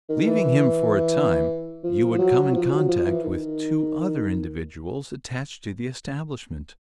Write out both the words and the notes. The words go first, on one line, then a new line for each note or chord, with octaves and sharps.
Leaving him for a time, you would come in contact with two other individuals attached to the establishment.
D#3
D#3
E3
F3
F3
F#3
F#3
F3
F#3
F3
E3
D#3